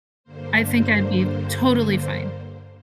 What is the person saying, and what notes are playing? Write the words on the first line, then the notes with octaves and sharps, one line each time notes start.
I think I'd be totally fine.
G2 D3 A#3 C5